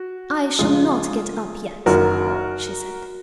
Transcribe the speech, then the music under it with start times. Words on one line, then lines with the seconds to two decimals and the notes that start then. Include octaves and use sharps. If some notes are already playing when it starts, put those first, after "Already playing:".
"I shall not get up yet," she said.
Already playing: F#4
0.59 C#2 C#3 F3 G#3 C#4 F4 G#4
1.86 F#1 F#2 D#3 F#4 A#4